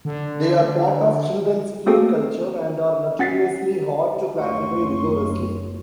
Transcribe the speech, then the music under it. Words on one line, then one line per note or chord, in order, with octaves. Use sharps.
They are part of children's street culture, and are notoriously hard to classify rigorously.
D3
A3 A#3 C4 F#4 G#4 A4
C#4 F#5 A6 B6 C7
F#1 D2 C#5 C6 C#6